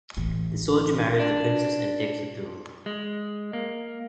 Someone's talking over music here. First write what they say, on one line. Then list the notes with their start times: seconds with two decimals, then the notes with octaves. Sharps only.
The soldier marries the princess and takes the throne.
0.17 A1 E3
1.20 D4
2.86 G#3
3.53 A#3